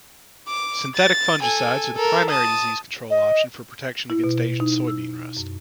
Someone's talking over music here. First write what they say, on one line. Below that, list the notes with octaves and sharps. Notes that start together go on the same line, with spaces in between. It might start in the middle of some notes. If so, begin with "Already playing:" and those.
Synthetic fungicides are the primary disease control option for protection against Asian soybean rust.
D6
A6
A4 G#5
A4 A#4
A5 D#6
D#5
E4
B2
D#4
E6
F#2